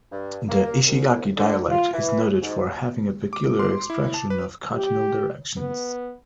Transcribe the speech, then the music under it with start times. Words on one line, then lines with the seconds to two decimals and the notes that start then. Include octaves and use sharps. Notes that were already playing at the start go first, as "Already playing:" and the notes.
The Ishigaki dialect is noted for having a peculiar expression of cardinal directions.
0.12 G2
0.49 A#3
0.86 C2
1.37 D3
1.70 F4
1.93 E3
2.41 G#2
3.33 D6
3.59 C6
3.90 E4
4.14 A5
4.30 B4
4.74 G4
5.57 B3